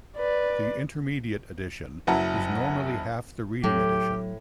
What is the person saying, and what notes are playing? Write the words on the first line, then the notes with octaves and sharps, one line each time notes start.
The intermediate addition is normally half the reading addition.
B4 D5
F#1 F#3 E4 F#5 A5 A#5
A2 F#3 G4